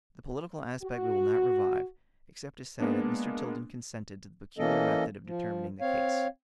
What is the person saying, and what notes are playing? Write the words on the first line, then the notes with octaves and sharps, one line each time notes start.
The political aspect we will not revive, except to say that Mr. Tilden consented to the peculiar method of determining the case.
F#4
G#3 A#3 B3 D4
E3 A#3 C#4 A4 D#5
F3
C4 C#5 F5